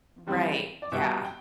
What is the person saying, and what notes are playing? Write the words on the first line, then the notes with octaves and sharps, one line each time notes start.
Right, yeah.
E3 G3 C4
D5
B2 G3 B3 E5
G5